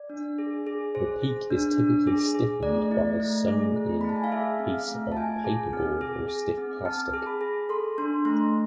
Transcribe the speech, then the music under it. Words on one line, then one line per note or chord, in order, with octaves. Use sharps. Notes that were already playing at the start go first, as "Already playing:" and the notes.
The peak is typically stiffened by a sewn-in piece of paperboard or stiff plastic.
Already playing: D5
D4
G#4
G#4
G#4 C5
G#4
D4
D4
G#4
G#4
A3 D5
E4
A3
G#4
A3
B5
E4
A5
G#5
F5
G#4 E5
C4
F5
A3
A5
F4 G#5
G#4
C4
G#4
G#4
C4
C4 A5
G#4
B5
G#4
A4 C6
D4 C6
A3 C6